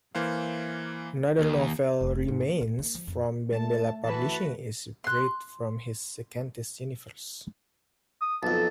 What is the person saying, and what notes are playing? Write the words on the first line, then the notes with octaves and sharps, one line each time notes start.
Another novel, "Remains", from BenBella Publishing, is separate from his Secantis universe.
E3 A#3 C5 F5
D#2
F1
G#2
A#3
A#2
A#3
F3
F2
A3 A5
E3 F#4 B4 A5
C6 F#6
D#6
B1 F2 A5